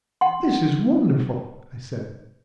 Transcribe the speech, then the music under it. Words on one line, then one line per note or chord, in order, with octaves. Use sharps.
"This is wonderful," I said.
F#5 C6